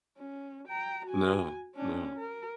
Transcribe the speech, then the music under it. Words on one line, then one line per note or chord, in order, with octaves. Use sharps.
No. No.
C#4
G5 A#5
F#4 G#5
C#4 D4
A#4